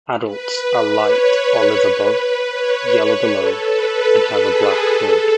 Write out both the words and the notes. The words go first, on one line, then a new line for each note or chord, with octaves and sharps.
Adults are light olive above, yellow below and have a black hood.
B4
C#5
C#5
B4
C#5
C#5
A4
B4
G#4
A4